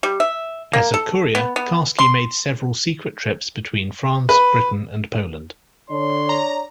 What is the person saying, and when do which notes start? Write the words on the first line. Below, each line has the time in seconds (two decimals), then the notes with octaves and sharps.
As a courier, Karski made several secret trips between France, Britain and Poland.
0.03 G3
0.20 E5
0.73 A#3
0.94 A4
1.35 B3
1.56 B3
1.99 C6
4.29 B4
5.90 D3 D4 C#5 D5 C6
6.29 A#5